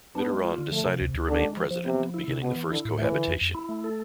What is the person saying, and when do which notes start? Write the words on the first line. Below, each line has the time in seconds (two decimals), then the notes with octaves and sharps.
Mitterrand decided to remain president, beginning the first cohabitation.
0.15 B3 D4
0.30 G#3
0.44 F4
0.58 D3
0.71 F3 A3
0.86 C3
1.00 D2
1.14 D2
1.29 D3 D4
1.42 G#3
1.57 F3
1.71 F3
1.85 C3 B3
1.99 F3
2.14 E4
2.28 C3
2.42 B2 B3
2.56 E3
2.70 D3 E4
2.85 A2
2.99 E3 A3
3.12 D3
3.27 F2
3.41 F2
3.55 E4
3.69 A3
3.84 A4